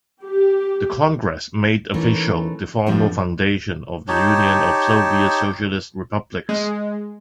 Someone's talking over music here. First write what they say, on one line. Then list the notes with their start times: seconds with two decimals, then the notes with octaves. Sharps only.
The Congress made official the formal foundation of the Union of Soviet Socialist Republics.
0.24 G4
1.94 E3 A3 C#4 D#4 A#4
2.86 G2 B2 D3 F3 G3
4.08 D#4 G4 C#5 A5
6.49 G#3